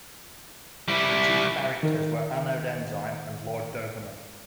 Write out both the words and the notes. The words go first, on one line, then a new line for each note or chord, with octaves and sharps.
The chief characters were Anode Enzyme and Lord Doberman.
G3 E4
D#3 A#4